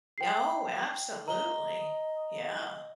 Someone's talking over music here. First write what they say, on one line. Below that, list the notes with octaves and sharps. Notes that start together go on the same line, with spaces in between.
Yeah, oh, absolutely. Yeah.
G5 C7
D#5 A#5 G7